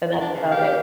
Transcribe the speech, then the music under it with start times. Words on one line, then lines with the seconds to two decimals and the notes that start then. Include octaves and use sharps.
and that's about it.
0.21 D4
0.34 C#3
0.51 G4 F5